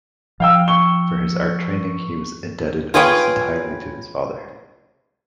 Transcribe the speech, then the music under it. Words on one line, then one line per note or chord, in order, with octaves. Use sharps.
For his art training he was indebted almost entirely to his father.
F3 F5 G5 E6
C#6 G7
F4 G#4 B4 C#5 G5